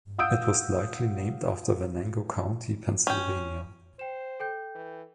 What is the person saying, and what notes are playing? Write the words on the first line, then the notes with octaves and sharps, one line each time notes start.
It was likely named after Venango County, Pennsylvania.
F5 F#5 D#6 E6 G6 D7
C#4 G5
C5 G5 E7
A4 G5 G6
E3